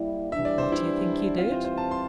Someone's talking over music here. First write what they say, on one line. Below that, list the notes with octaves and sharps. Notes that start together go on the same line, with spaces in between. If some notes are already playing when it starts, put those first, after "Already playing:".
And what do you think he did?
Already playing: G3 A#3 E4
E3 G3 D4 E5
D5
C5
E4
E3 G3 C4 E4 F4
C5
C5
A5
C6